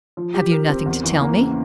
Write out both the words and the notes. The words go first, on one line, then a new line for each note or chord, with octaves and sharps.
"Have you nothing to tell me?"
F3
G4
A#4
C4
E2
E3
A#3
C#3